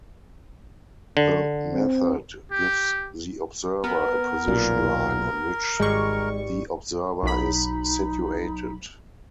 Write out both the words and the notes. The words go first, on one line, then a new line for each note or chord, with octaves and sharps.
The method gives the observer a position line on which the observer is situated.
D3
C4
G4
B3 A#4
B1 A#2
G#1 G3 G#3 C#6
B1 F#3 D#4 B5